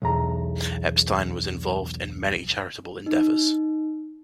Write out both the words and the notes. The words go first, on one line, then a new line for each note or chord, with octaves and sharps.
Epstein was involved in many charitable endeavors.
B1 E2 A#5
D#4